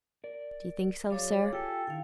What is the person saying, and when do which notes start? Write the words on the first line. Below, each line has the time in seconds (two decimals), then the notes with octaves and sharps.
'Do you think so, sir?'
0.24 A#4 D5
1.10 F#3 G#4 C#5 D5 F5
1.53 F4 G4 A4 G5 G#5
1.87 D3 D#3 E4 F5 G5